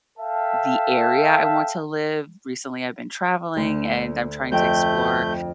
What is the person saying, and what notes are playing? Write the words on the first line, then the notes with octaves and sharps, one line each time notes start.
the area I want to live. Recently, I've been traveling, and I'm trying to explore
A4 E5 F5 G5 A5
D2
F2 A3 G5 G6